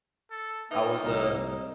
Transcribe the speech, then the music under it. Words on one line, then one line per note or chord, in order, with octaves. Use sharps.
I was, uh
A4
A#3 D#4 B4 E5
C2 D#5 A#5 D#6